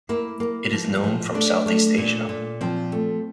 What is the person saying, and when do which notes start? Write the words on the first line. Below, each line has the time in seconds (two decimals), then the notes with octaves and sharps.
It is known from southeast Asia.
0.09 A#3 E4
0.40 A#3
0.73 F3
1.04 F3
1.35 A3 D4
1.66 A3
1.98 A#2
2.29 A#2
2.61 F3 C4 F4
2.92 A3